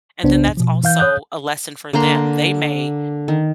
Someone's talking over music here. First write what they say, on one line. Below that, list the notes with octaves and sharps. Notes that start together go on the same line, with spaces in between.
and then that's also a lesson for them. They may,
C2 C#3 B3 D4 C5
B2 F3
E3 F5 G6
C#5 D#6 F#6 G6
D3 A#3 A#5 C6
D#3